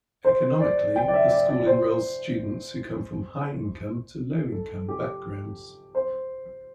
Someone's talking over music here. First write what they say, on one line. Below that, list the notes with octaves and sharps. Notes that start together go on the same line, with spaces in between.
Economically, the school enrolls students who come from high-income to low-income backgrounds.
C5
D5
G5
D5
E5
D5
D5
C5
A4
G4
C5